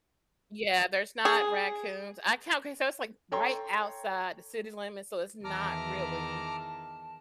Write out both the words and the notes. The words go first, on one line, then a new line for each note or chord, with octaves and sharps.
Yeah, there's not raccoons, I count 'cause that was, like, right outside the city limits, so it's not really,
G#4
A4 C#5 G5 A#5 C6
E2 D#3 E3 A5 A#5 D6 F6